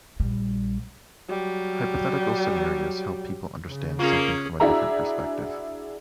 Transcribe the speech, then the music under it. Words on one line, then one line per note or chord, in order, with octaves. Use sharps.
Hypothetical scenarios help people understand something from a different perspective.
A#1 G3
F#3 G3
C#3
A#3 C#4 F4 G#4
D4 E4 F#4 G#4 E5 A#5